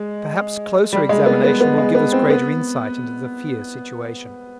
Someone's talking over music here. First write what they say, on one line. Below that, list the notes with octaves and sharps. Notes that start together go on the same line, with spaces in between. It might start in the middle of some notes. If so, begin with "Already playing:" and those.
Perhaps closer examination will give us greater insight into the fear situation.
Already playing: G#3
G3
G#3
B3
B3
B3
G#3
B3
C4
B3